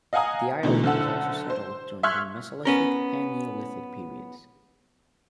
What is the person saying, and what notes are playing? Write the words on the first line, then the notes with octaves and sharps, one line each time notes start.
The island was also settled during the Mesolithic and Neolithic periods.
D#5 F5 F#5 G#5 A#5 D#6
B2 D3 E3 A3 D#4
F#1 D3 A4 F#5 E6
C5
E5 C6 C#6 F6 F#6 G#6
B3 C#4 A#4